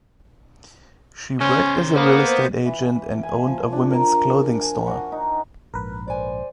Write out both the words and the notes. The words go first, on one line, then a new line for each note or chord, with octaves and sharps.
She worked as a real estate agent and owned a women's clothing store.
C#3 C#4 C5
A#3 B3 C5
E3
G#5
F3
D4
A#4
G#5
F#4
D#4
A#1 G#2 A#4 B4
C5 D5 G#5